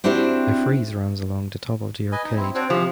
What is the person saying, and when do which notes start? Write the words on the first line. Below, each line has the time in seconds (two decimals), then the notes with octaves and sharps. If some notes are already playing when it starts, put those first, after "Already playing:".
A frieze runs along the top of the arcade.
0.04 C4 D4 E4 F#4 G4 C5
2.12 B4 D#5 G#5
2.24 D#4
2.37 C4 E4
2.55 C4 D4 F#4 C#5
2.70 C3 F3 G4 G#4